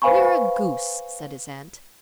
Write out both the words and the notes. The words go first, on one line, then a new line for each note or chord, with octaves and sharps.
"You're a goose!" said his aunt.
B4 C5 F5 G#5 B5 C#6